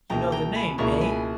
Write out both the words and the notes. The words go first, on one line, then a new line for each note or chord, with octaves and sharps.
"You know the name, eh?"
C#2 B2 A#3 E4 G5 A#5
G5 A#5
G#5 B5
C#2 B2 A#3 E4 A#5 C#6
G#5 B5